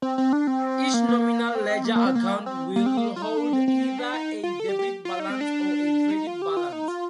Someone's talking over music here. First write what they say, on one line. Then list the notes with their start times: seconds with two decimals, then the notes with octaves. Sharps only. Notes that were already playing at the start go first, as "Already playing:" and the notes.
Each nominal ledger account will hold either a debit balance or a credit balance.
0.02 C4
0.18 C4
0.33 D4
0.47 C4
0.94 A#3
1.08 A#3
1.55 C4
1.85 A#3
1.95 A#3
2.05 C4
2.15 A#3
2.46 C4
2.76 A#3
2.86 C4
2.97 A#3
3.16 F4
3.22 D#4
3.37 D4
3.53 C4
3.68 C4
3.99 D4
4.14 D#4
4.43 F4
4.60 A4
4.69 G4
4.79 G4
5.05 F4
5.20 D#4
5.30 C4
5.41 D4
6.11 D#4
6.27 F4
6.42 G4
6.57 F4
6.72 D#4
6.88 F4